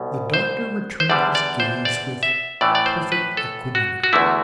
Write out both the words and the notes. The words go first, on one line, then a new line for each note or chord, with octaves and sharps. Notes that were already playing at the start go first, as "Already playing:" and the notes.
The doctor returned his gaze with perfect equanimity.
Already playing: C2 B2
C5
C5
E2 D3 G3 D5
D5
C5
D5
E5
A2 E3 A3 D5
D5
C5
B4
A4
F#4
F#4
E2 D3 A3 E4